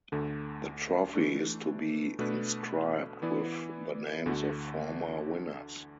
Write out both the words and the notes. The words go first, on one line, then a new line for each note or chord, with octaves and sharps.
The trophy is to be inscribed with the names of former winners.
D2 D3 A3
E3 A3 D4
B2 A3 D4 B4
E3 B3 E4 D5
D2 D3 A3 F#4